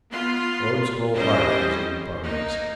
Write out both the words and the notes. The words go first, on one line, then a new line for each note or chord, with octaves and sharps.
Oates' whole heart is in the ponies.
B3 F4 C6
G3 C#4 C5 D#5
A#3 D#4